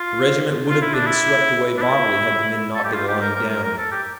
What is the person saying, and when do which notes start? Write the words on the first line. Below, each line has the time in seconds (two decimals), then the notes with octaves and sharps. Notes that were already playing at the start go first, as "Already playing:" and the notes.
The regiment would have been swept away bodily had the men not been lying down.
Already playing: F4
0.70 F4
0.82 E4
0.94 D4
1.07 E4
1.78 D4
1.82 E4
2.75 A4
2.84 G4
2.93 F4
3.08 G4
3.22 A#4
3.36 A#4
3.49 A#4
3.64 A#4
3.78 A4
3.92 G4